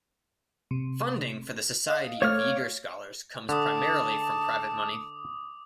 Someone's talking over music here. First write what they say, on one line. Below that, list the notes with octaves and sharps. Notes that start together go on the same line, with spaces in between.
Funding for the Society of Yeager Scholars comes primarily from private money.
C3
D#5 F5
A3 C#5 F5 D6 F6
D3 A5 D6 D#6